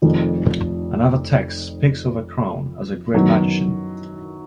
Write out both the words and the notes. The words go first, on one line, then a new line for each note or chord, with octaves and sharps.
Another text speaks of a crown as a "great magician."
F1 F2 D#3
F#2 D#3 F#3 B3